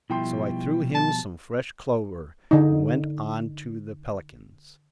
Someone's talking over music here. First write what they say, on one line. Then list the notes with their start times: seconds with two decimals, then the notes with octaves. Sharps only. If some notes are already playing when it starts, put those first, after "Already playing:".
So I threw him some fresh clover, and went on to the pelicans.
0.10 B2 F3 G3 E4 G5 C6
0.95 A5
2.51 D3 D#4